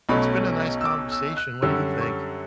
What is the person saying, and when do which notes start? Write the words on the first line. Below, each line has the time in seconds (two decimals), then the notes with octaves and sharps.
It's been a nice conversation, what do you think?
0.09 B1 B2 F#3 A3 C#4 B5
0.81 E6
0.85 D6
1.12 E6
1.37 F#6
1.62 F#2 D3 G3 C#4 E6
2.01 C#6